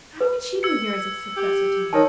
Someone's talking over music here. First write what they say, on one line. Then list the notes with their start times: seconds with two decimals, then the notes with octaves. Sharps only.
How would she do here as a successor to me?
0.21 B4
0.63 E6 G#6 C#7
1.37 G4
1.93 D#3 C#5 A5